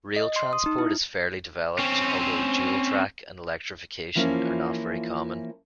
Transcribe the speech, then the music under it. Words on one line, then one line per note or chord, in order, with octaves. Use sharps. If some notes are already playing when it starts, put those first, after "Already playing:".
Rail transport is fairly developed, although dual track and electrification are not very common.
D#5
C6
D#6
D#4
E4
C4 C#4
E3 F3 A#3 C#4 E4 F4